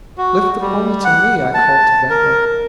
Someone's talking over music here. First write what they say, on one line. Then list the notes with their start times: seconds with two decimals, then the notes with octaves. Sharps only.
"Lift the pony to me," I called to Ventnor.
0.18 F#4
0.61 G3
1.04 F#5
1.54 A5
2.10 A#4